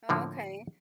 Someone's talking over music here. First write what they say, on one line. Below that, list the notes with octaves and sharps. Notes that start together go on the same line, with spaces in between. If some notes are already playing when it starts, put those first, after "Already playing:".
Oh, okay.
A2 D3 F3 A#3